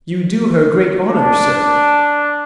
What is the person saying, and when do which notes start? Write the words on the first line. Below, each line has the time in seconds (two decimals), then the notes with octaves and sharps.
"You do her great honour, sir."
1.11 D4